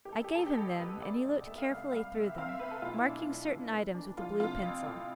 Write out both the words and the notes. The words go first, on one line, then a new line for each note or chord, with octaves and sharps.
I gave him them and he looked carefully through them, marking certain items with a blue pencil.
G4
A1 A4
G4
A1 A4
G4
A1 A4
A1 B4
A3 D5
C2
A3 E5
F5
C2 F5
G3 F5
C2 E5
C4 F5
E5
C4 B4
A4
B1 F4
E4
B1 D4
E4
B1
B3
B3
D2 D4
F3 F4
C3 F4
A1
A2